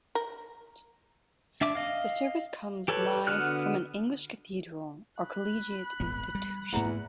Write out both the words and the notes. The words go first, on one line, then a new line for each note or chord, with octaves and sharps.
The service comes live from an English cathedral or collegiate institution.
A#4
D4 E5 D6
D#5 F5
G4 A4 B4 C#5
D3 B3 F#4 F6 F#6
B5 F#6
D#1 G#1 B3
G3
E2 G#2 A3 A#3 F#5 A#5